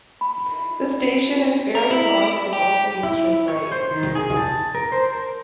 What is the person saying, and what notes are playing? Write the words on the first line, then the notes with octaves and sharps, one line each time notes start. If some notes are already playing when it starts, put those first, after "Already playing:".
The station is fairly long and is also used for freight.
B5
A#4
E4
G4
E4
C#5
C5
D#3
G#4
A5
A#4
C5
A#4